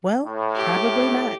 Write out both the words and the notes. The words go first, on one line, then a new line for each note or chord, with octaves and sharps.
Well, probably not.
A2
G4